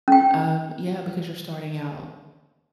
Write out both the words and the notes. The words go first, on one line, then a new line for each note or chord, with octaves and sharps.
Um, yeah, because you're starting out
C#4 G5